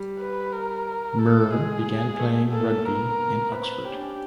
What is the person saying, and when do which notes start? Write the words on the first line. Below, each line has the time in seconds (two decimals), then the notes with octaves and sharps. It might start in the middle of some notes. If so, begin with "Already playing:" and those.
Muir began playing rugby in Oxford.
Already playing: G3
0.19 B4
0.52 A#4
1.19 A4
1.53 G#3 G#4
2.19 A3
2.52 A#3 A4
2.61 A3
2.70 A#3
2.86 B3 A#4
3.46 B3
3.52 C4 B4
3.85 C#4 G4
3.93 D4
4.01 C#4